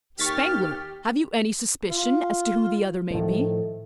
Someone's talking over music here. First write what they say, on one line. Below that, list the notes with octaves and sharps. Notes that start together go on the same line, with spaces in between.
"Spangler! have you any suspicion as to who the other may be?"
D#2 G4 C#6 F6 A6 B6
F4
A2 D#3 F3 A4